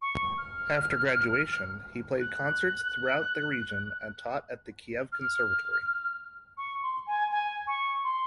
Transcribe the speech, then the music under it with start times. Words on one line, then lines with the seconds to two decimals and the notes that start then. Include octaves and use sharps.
After graduation, he played concerts throughout the region and taught at the Kiev Conservatory.
0.01 C#6
0.37 F6
2.19 F#6
5.12 F6
6.57 C#6
6.82 C6
7.06 G#5
7.30 G#5
7.67 C#6
8.04 C6